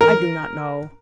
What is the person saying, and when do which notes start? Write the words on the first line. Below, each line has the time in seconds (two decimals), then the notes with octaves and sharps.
I do not know.
0.01 A#4